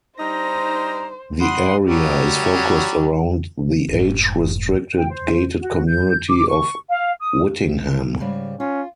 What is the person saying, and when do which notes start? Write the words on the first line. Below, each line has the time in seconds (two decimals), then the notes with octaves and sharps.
The area is focused around the age-restricted gated community of Whittingham.
0.19 G3 D4 D#4 C5 A#5 A#6
1.40 G3 F#5 B5 C6 D#6
1.85 F#3 G3
3.89 F1 G#2
4.97 G5
5.09 C5
5.61 F#4
5.87 G6
6.27 D6
6.47 C#6
6.89 F5
7.20 D#6
8.20 G#2 C#3 G3
8.60 C#4 F4